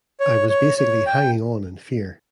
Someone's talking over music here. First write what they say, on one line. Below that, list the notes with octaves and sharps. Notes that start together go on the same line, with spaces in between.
I was basically hanging on in fear.
C#5
C#5
C#5
G5